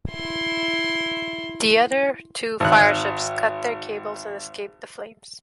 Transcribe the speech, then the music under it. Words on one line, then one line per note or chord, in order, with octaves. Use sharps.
The other two fireships cut their cables and escaped the flames.
E4 C6
G#1 F#6